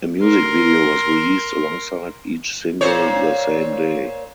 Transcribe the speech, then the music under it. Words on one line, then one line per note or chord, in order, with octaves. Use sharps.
A music video was released alongside each single the same day.
A#4 C6
A#2 C5 C#5